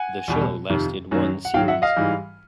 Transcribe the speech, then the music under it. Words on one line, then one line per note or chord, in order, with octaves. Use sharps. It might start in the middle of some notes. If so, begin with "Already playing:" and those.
The show lasted one series.
Already playing: F#5 G#5
E2 B2 G3
F2 C3 D#3
F#2 D#3 F#3
F#5
G#2 D#3 F#3 F5 G5
E5 F#5
D#5 F5
G#2 E3 G3